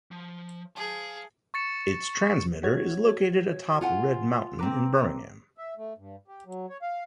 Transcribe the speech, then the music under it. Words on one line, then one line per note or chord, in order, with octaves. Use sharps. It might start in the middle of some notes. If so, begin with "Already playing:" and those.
Its transmitter is located atop Red Mountain in Birmingham.
F3
G#4 F5 A5
C#6 A6 C#7 E7
F#4 C#5 G#6
F4 F#5 G#5
C4 B4 A#5 D6
E5
A3
G2
G4
F#3
C#5
F5